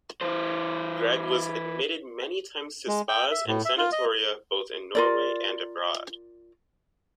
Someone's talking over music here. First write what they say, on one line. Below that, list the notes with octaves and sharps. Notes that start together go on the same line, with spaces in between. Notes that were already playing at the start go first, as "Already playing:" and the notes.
Grieg was admitted many times to spas and sanatoria both in Norway and abroad.
E3 C5
G#3
G5
E5
A2
E5
F4
D#5
F4 A#4 D5